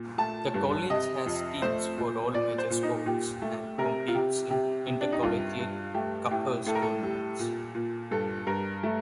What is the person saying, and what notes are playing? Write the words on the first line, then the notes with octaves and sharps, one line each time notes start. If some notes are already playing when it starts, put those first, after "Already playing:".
The college has teams for all major sports, and competes in inter-collegiate "cuppers" tournaments.
Already playing: A#2
A3 A5
G2
C3 D#5
F2
A3 C5
A#2
A#2 D5
C5
A#2
D#4
A#2 G4
A3
C3 A#4
F4
C3 G4
C3 G4
C3
D4
D#4
G2 F4
G2
A3 G4
A2 G4
A2 A4
A#4
A4
G3
A#2
A#2
G2 A4
G2 A#4
A3